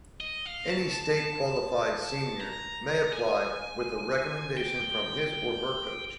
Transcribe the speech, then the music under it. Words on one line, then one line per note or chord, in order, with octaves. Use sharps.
Any state-qualified senior may apply with a recommendation from his or her coach.
D#5
F5
A5
A5
A#5
G#5
G5